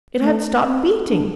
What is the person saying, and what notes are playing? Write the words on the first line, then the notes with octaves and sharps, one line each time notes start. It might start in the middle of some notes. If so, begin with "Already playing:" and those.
It had stopped beating.
A3
C4
D4